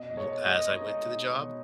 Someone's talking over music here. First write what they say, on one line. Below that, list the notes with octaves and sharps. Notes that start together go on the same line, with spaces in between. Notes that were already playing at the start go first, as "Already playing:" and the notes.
w as I went to the job.
Already playing: B2 D#5
G#3 C#5
G#3 D#5
D#4
B2
B2